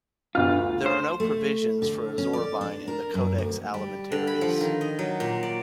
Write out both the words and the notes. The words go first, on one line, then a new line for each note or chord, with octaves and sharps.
There are no provisions for azorubine in the Codex Alimentarius.
G1 F4 F6
D2
C5
A3
D3
C#4
D5
D4
A#4
F#2
D2
G3
D3
B5
F3
D#3
D#5
F#3
A#2
D5